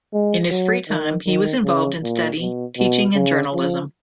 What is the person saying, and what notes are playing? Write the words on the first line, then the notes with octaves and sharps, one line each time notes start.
In his free time he was involved in study, teaching and journalism.
G#3
F#3
D#3
D#3
C#3
A#2
B2
B2
C#3
F3